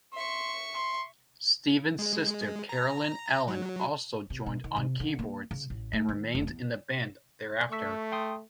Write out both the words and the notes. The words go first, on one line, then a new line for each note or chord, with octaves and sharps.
Steven's sister Carolyn Allen also joined on keyboards, and remained in the band thereafter.
E5 C6 C#6
C6
G#3
A#5
F#3
C3
B2
D#3
C3
D3
A#3
C#3
A1
A3
D#3
F1
E2
A3 C#6 E6 B6
G5 C6 D#6